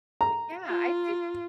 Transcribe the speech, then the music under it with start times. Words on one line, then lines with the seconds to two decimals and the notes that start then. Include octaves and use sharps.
Yeah. I've seen
0.21 A#5
0.65 F4